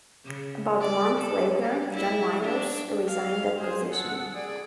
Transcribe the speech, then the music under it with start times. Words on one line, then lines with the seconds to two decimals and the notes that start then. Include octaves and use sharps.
About a month later, John Moyers resigned that position.
0.25 C#3
0.80 D5
1.18 A4
1.60 G3
1.93 E4
2.42 D4
3.08 F5
3.59 G#4 C5
3.92 A4 F#5
4.34 G#4 D5